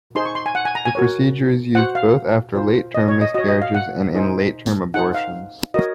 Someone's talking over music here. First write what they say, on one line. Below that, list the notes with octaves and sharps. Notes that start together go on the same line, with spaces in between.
The procedure is used both after late-term miscarriages and in late-term abortions.
D#4 G#4 C5 C6
C#6
C6
G#5
F#5
G#5
A#5
G#5
F#4 A#4 C#5
F#4 C5 F#5
F5
F4 C5
D#5
C#5
D#5
F#4 C#5 D#5
D#5
F5
F#5
D#4 G#4 C5
D#4 G#4 C5 F#5
F5
F#4 A#4 C#5 D#5